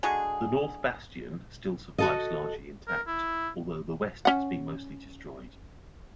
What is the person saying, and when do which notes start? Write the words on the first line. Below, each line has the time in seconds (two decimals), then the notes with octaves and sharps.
The north bastion still survives largely intact, although the west has been mostly destroyed.
0.03 D3 G#3 F#4 G#4
1.98 F#4 A4 D#5
2.87 A#4
3.07 E4
4.25 C#4 F#5